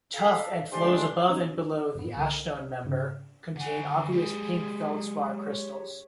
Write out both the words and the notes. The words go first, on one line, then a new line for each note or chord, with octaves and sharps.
Tuff and flows above and below the ashstone member contain obvious pink feldspar crystals.
A4 F5 B6
D3 G#3 A3 D4 G4 C5 G#5 C6
B3 C#4 D#4 F#4
F#2 A2 B3
C2 D3 A4 A#4 D#7
G#2 C#3
D3 F#5 G#5
G#3 G4 G#4
C#5